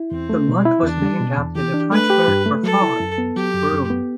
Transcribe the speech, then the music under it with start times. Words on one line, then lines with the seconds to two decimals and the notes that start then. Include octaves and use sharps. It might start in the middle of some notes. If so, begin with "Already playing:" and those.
The month was named after the French word for fog, "brume".
Already playing: E4
0.11 E2 C4
0.29 A3
0.48 B2
0.65 E4
0.83 E2 D4
1.02 G3
1.20 B2
1.37 E2
1.55 E3 G4
1.74 D4
1.92 A3 B4
2.10 G4
2.28 G2
2.46 A3
2.63 F#3 A4
2.82 E4
3.00 F#2
3.18 B3
3.36 F#3 G4
3.54 F#2
3.72 F#2
3.90 B3